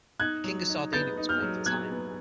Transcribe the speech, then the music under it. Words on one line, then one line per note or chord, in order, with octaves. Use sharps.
The King of Sardinia was playing for time.
D#4 F#6 G#6
F#3
D#4
B3 G6 A6
D#4
F6 G6
F#3
F#3 F#6 G#6
B3